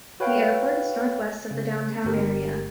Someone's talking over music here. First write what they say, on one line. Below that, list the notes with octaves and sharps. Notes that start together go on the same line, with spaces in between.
The airport is northwest of the downtown area.
F#4 B4 C#5 F5 G5
C#3
G1 G4 A#4